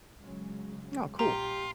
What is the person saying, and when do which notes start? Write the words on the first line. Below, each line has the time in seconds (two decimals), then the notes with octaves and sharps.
Oh, cool.
0.22 C#3 F#3 G#3
1.19 A#1 A#2 G3 F4 G4 A#5